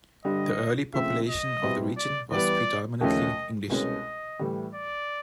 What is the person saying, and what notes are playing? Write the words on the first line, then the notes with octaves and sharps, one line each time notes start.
The early population of the region was predominantly English.
G2 D3 G3 D#5
C#3 F3 A3 C4 E5
D#5
B2 G3 C4 E4
D5
E3 G3 B3 D5
D#2 C#3 F3 A3 C#4 D#5
C2 B2 G#3 C#4 D#5
A2 E3 G3
D5